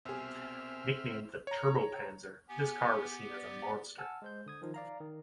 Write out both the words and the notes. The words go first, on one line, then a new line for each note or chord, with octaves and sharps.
Nicknamed the "Turbopanzer" this car was seen as a monster.
C2 B2 C4 G#4 E5 F6
C#5 A#5
B3 G4 G#5
D5
F#5 G#5 A5 E6 F6
G#3 C5 G6
D3 D#6 G#6
D#3 F3 D#4
D5 F5 A#5
D#3